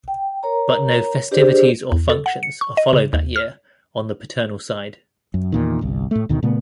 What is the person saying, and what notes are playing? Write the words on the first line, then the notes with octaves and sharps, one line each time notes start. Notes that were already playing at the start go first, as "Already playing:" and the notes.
But no festivities or functions are followed that year on the paternal side.
G5
A#4 C#5 A#5
D4 G4 G#4 C5 D5
E2
A4
F#5
C#7
C#6
D#5
C#3
D#2
F6
F#2
E2 A#2 D#3
G1 C2
A2 A3
D2 B2 D#3
A#2 C#3 A3 B3